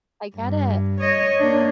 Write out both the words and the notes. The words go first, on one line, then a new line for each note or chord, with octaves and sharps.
I get it.
G2
C#5 D#5
A#3 D4